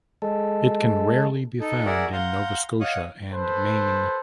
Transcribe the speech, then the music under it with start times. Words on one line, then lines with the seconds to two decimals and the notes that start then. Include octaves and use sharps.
It can rarely be found in Nova Scotia and Maine.
0.22 G#3 A4
1.60 D#4 A4
1.86 F#4 G#4 A#4 D5 E5 F#5
2.13 F5 F#5 A#5 C6 G6
2.81 C#5 D#5 F5 F#5 D#6 F#6
3.31 A4 B4 C5